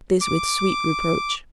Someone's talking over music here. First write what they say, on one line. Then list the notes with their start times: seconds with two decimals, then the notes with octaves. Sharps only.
This with sweet reproach.
0.21 D6